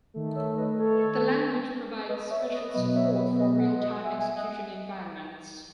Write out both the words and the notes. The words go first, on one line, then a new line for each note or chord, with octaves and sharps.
The language provides special support for real-time execution environments.
D#3 A3
C#5 E5
B4 D#5
A4 C#5
B4 D#5
C#5 E5
B4 D#5
B2 F#3 B3 B4 D#5
C#5 E5
B4
B4 D#5
D#5 F#5
D#5 F#5
E5 G#5
E5 G#5
D#5 F#5